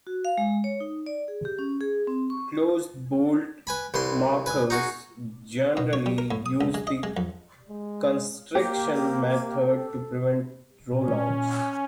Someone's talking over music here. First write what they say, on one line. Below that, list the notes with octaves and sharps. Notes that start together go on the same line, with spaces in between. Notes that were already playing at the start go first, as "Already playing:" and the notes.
Closed bolt markers generally use the constriction method to prevent "roll outs".
F#4
F5
G#3
C#5
D#4
D5
G#4
G4
C#4
G#4
C4
C#6
B4 G#5 B5
C2 E3 C6
B4 G#5
D#4 F#4 G#4
B2
C#5
G3
A#4
A2
D#6
C#2
G#3
D#5
G#3
F2
G#3
A#3 G4
A4
A#2 C#4